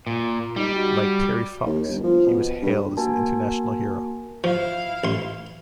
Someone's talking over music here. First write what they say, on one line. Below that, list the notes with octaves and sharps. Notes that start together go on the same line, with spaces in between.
Like Terry Fox, he was hailed as an international hero.
A#2
G3 D#4
F#4
D#2
G1
F3
B2
G2
A#3 F#4 A#4 G#5 A5
F3 E4 F5
A1 C6